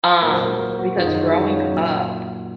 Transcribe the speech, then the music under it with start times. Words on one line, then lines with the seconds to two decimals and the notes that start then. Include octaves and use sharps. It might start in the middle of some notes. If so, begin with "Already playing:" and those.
um, because growing up,
0.22 A#2 F#3 A#4
0.31 C5
0.41 F#4 A#4
0.59 A#4
0.70 C5
0.79 F#4 A#4
0.97 F#2 D#3 F#3 F4 G#4
1.08 D#4
1.16 C#4 F4
1.30 G#4
1.34 D#4 F#4
1.53 C#4 F4
1.72 A#2 F#3